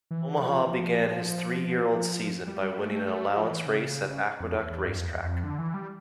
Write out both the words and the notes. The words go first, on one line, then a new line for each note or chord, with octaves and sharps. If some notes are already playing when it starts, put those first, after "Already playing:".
Omaha began his three-year-old season by winning an allowance race at Aqueduct Race Track.
E3
F3
E3
F3
G3
G3
A3
A3
A3
G3
F3
E3
C#3
F2
E2
E2
G2
F2
E2
F2
D3
E3
G3